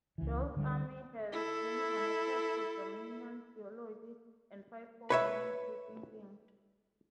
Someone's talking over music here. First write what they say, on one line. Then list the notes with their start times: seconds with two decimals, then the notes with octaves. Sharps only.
Joel's Army has been connected to Dominion Theology and Fivefold ministry thinking.
0.18 C#2 E3
0.56 D3 G3
1.32 E4 A4
5.10 B4 C#5 E5